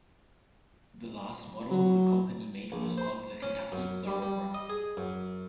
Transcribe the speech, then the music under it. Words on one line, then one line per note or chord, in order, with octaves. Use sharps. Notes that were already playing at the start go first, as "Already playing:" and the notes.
The last model the company made was called The Kentucky Thoroughbred.
F#3
A#1
C5
C#4
F#2
G3
G3
D#5
G#4
F#2